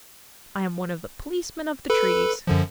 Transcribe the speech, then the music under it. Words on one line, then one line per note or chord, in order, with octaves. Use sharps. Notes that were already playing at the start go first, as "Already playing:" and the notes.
I am one of the policemen of the trees.
A4 B4 B5
F#2 D3 F3